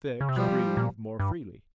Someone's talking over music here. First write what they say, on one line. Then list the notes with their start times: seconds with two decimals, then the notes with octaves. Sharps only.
Fix breathed more freely.
0.21 C#3
0.29 C3
0.36 B2 F3 G3
0.77 A#2
1.19 G2